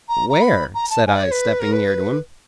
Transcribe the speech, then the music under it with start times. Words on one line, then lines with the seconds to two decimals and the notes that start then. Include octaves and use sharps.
"Where?" said I, stepping near to him.
0.08 A#5
0.29 A#5
0.41 B5
0.74 A#5
0.90 A5
1.06 G#5
1.14 D5
1.22 C#5
1.31 B4
1.59 A#4
1.72 B4